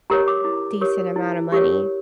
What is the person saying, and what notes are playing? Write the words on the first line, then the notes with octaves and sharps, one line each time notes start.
decent amount of money
G4 A#4 C#5 A#5
D6
E4
G4 A#4 C#5
E4
G4 A#4 C#5